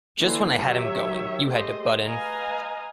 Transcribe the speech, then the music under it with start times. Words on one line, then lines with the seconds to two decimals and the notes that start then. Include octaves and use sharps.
Just when I had him going, you had to butt in!
0.20 D3 E3 A#3 D4 C5
0.61 D#3 F#3 G4 C#5 E5
1.47 A3 G4 G#4 C5 D#5
2.06 B4 D#5 F5 G#5 A#5